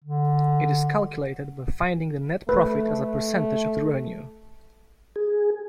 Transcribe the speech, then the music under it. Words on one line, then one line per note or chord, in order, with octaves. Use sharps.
It is calculated by finding the net profit as a percentage of the revenue.
D3
A3 B4
G#4